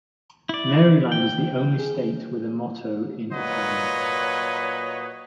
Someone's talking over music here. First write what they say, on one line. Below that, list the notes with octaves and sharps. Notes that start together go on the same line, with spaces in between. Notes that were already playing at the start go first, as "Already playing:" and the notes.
Maryland is the only state with a motto in Italian.
E4 D5
G5
G#4
A#2 F#3 B4 C#5 D#5